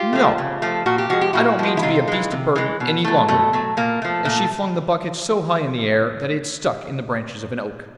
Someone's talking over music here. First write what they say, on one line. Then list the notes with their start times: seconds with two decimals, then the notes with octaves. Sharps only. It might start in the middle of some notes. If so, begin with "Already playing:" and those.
'No; I don't mean to be a beast of burden any longer.' And she flung the bucket so high in the air that it stuck in the branches of an oak.
Already playing: F4 G4
0.13 F3 A3
0.38 C#3
0.62 F3 A3
0.86 A#2 F#4
0.98 G4
1.10 F3 G#3 F#4
1.21 G4
1.33 A#2 E4 F#4
1.59 F3 G#3
1.77 E4
1.83 C3 D#4 F4
2.08 E3 G#3
2.32 C3
2.56 E3 G#3
2.80 B2
3.04 F#3 A3
3.28 B2 A3
3.53 F#3 A3
3.77 A#2 A#3
4.02 F3 A3
4.25 A#2 A3